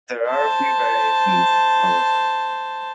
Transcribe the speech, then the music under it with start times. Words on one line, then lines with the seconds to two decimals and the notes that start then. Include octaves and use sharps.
There are a few variations, however.
0.29 C5 A5